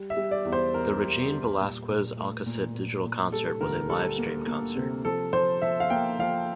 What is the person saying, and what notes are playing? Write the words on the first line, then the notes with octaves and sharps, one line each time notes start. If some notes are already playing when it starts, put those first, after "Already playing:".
The Regine Velasquez-Alcasid Digital Concert was a livestream concert.
Already playing: G3
E5
G3
D5
E2
C5
E2 A#4
G3
G3
A#2
A#2
A3
A#2
A#2
A#2
G3 A4
D2 A#4
G3 A4
A#3
A#3
C3
F3 A4
F3 C5
F3 E5
F5
A#3 G5
F3 F5